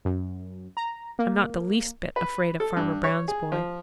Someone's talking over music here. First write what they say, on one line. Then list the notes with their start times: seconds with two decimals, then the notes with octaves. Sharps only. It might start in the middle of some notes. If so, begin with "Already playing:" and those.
I'm not the least bit afraid of Farmer Brown's boy.
0.05 F#2
0.77 A#5
1.19 A#3
2.16 B4
2.60 A4
2.77 G2
3.04 C#5
3.28 G#4
3.52 F3